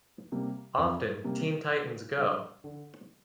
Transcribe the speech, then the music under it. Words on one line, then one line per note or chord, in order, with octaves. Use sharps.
Often, Teen Titans Go!
C3 G3 A#3
F2
C3 G3 A#3
D3
G3 D4
D3